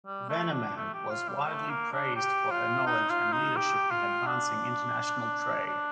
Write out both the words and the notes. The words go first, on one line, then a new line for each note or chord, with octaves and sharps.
Veneman, was widely praised for her knowledge and leadership in advancing international trade.
G3
A3
D4
A3
G4
F4
G3
A3
A#3
D4
G4
F4
D#4
F4
D#4
G4
F4
D4
D4